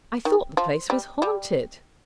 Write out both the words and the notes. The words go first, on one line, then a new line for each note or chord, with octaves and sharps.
"I thought the place was haunted!"
D#3
F3
G3
G3